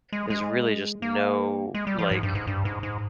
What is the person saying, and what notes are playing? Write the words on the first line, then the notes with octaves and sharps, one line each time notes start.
there's really just no, like
G#3
G#3
A#3
G#3
G3
F3
G#2
G2
G#2
G2
G#2
G#2